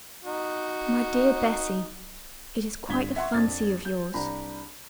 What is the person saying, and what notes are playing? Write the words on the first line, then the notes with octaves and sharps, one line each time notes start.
'My dear Bessy, it is quite a fancy of yours.'
D#4 F#4
G1 G2 G#6 B6 G7
E5 F#5 C6 C#6
F2 D4 G#6 A6
G6
C2 D4 A#5 B5